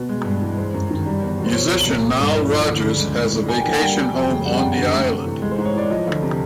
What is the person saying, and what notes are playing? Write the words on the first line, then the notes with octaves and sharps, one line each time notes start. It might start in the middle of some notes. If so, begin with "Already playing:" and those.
Musician Nile Rodgers has a vacation home on the island.
Already playing: B2 B4
G#3
G2
E3
G#3 C5
F#2
D#3
G3
E2
B2
C5
F3 C#5
C2
A#2
A3
G2
E3
F3 D5
D2
C#3
G#3
A2
E3
A#3 G#5
D3 G5
F#5
G3 G5
F#3
F2
C#3
G3 F#5
F#2 G5
F#5
D3
A3
C3
E3
G#3
C5
G#2
C#5
E3 D5
F3 D#5
D2
C3